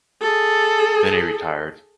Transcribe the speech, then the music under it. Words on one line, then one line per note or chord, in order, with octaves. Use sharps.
Then he retired.
G#4 A4